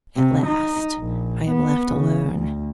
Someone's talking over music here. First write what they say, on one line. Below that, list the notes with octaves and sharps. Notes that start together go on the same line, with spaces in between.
At last I am left alone.
C3
D#4
A#1
B3
C#3
D2